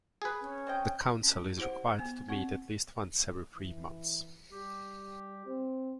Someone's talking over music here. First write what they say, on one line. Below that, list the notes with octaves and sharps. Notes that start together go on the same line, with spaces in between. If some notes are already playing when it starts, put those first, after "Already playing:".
The Council is required to meet at least once every three months.
G#4 B4
C#4
C4 D#5 G5
C#4
E4 G4 C5 F#5
B3 G#5
C4 F#5 C#6
E3
G3 G4
C4